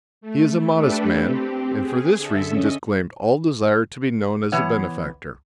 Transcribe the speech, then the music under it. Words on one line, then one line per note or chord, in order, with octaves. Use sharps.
He is a modest man, and for this reason disclaimed all desire to be known as a benefactor.
A3
A3 D4 G4 A4 B4
C4 G4
G#4
D3 A4 E5
C#4 D#5
E3 B3 C#5 F#5